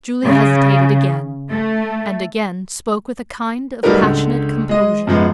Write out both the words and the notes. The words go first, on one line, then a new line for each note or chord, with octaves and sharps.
Julie hesitated again, and again spoke with a kind of passionate composure.
C#3
A3
F#3 G3 A3 D#4 A#4 B4
C#2 D3
G#3 D#5
F#2 F3 G#3 B3